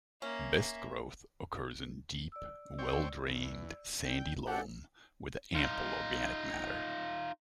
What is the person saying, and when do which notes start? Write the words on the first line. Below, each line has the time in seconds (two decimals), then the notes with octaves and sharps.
Best growth occurs in deep, well drained, sandy loam with ample organic matter.
0.22 A#3 C#4 E5
2.32 D5 E6
2.79 C4 C#5 G5
3.27 E2
4.05 G5
4.47 D4 F#4 G4 A4 F5 F#5 G#5
5.55 D#4 F4